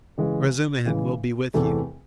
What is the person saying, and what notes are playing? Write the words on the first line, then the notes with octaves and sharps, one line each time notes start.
Razumihin will be with you.
C#3 E3 G#3
C#3 E3 G#3
E2 C3 E3 A3